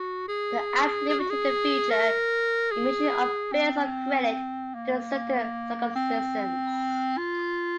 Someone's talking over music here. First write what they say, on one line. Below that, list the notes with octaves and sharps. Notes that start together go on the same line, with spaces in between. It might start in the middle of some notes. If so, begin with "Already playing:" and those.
The Act limited the future emission of bills of credit to certain circumstances.
Already playing: F#4
G#4
G#4
F#4
G#4
A#4
G#4
C4
A#3
A#3
C4
F4